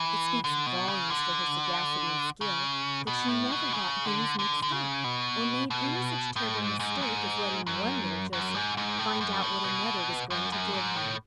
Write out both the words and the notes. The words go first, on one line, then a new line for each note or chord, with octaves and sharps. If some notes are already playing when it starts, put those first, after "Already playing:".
It speaks volumes for her sagacity and skill that she never got things mixed up or made any such terrible mistake as letting one little Joseph find out what another was going to give him.
Already playing: E3
D3
B2
C#3
D3
C#3
B2
A2
B2
C#3
D3
D3
D3
C#3
B2
B2
A2
G#2
G#2
F#2
G#2
F#2
F#2
G#2
G#2
A2
F#2
A2
B2
F#2
F#2
G#2
A2